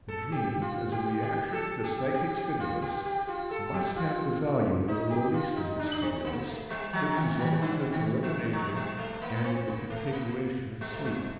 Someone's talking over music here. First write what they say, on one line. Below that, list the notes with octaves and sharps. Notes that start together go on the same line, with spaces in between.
The dream, as a reaction to the psychic stimulus, must have the value of a release of this stimulus which results in its elimination and in the continuation of sleep.
A4
G4
F4
G4
G4
A4
G4
G4
G4
F4
G4
G4
F4
A4
G4
F4
D#4
G4
F4
D#4
D4
D#4
D4
C4
A#3
A3
G3
F3
D#3
D#3
D3
D#3
G3
F3
G3
A3
A#3
A#3
C4
A#3
A3
A#3
G3
A3
G3